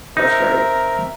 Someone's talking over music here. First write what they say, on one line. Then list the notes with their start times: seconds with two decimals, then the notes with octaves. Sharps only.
That's great.
0.17 C4 D#4 A#4 E5